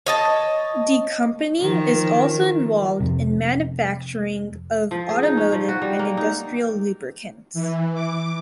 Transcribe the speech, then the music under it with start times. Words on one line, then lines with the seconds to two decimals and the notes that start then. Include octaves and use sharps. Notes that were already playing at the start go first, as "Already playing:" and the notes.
The company is also involved in manufacturing of automotive and industrial lubricants.
0.06 C#5 D#5 A5
1.60 D#3 F3
3.00 F2 C3
4.91 F3
5.09 G#4
5.23 D#4
5.37 C#4
5.52 F3
5.68 F#4
5.82 G3
5.99 A#3
6.17 D#4
7.54 E3
7.94 D6